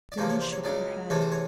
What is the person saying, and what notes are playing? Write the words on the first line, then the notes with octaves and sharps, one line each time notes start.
Dounia shook her head.
D5
E2 C3 F3 A#3 C#5
C#5
C5
C#5
C#2 C#3 F#3 D5
E2 C3 E3 A3 C#5
C5
C#5